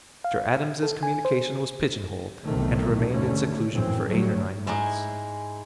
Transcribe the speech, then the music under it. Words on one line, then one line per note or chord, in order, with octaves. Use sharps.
Mr. Adams's communication was pigeon-holed, and remained in seclusion for eight or nine months.
F5
A4
G#5
C5
B1 E2 C3 D#3 A3
D#2 G#2 D3 A3 C#4
A#1 F#2 A2 E3 C4
D2 F#3 G3 A3
G#2 G#3 E4